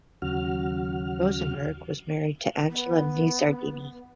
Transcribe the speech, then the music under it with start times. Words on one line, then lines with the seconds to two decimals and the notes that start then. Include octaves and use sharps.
Rosenberg was married to Angela Nizzardini.
0.22 D#2 C#3 F#3 F#4 F6
2.70 B3